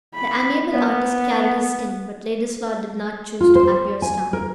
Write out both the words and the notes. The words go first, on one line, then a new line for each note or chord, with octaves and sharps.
The amiable artist carried his sting, but Ladislaw did not choose to appear stung.
B5
B3
F4
C5
G#5
A#4